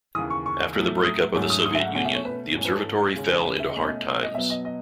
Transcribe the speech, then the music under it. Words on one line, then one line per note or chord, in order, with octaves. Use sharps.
After the breakup of the Soviet Union, the observatory fell into hard times.
D#2 C#3 E3 D#6
C#6
C#6
A2 F#3 A3
D#6
G#2 F#3 A3 C#4
D#6
D#6
E5
F#5
B2 A3 C#4 F#5
E5
C#5
B4
G#2 E3 A3 C#4
B4
A4
D#2 C#3 G#3 C#4
B4
E5
D#5
B2 A3 C#4 C#5
D#5
D#5
B2 F#3 B3 E5
D#5
D#5